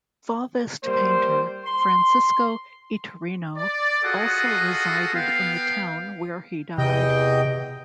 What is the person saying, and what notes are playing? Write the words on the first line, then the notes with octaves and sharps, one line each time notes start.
Fauvist painter Francisco Iturrino also resided in the town where he died.
G3 A#3 C5
C6
D5
F4 F#4 G#4 A4 D#5 F#5
B3 F5 G5
E2 C3 D#5 G5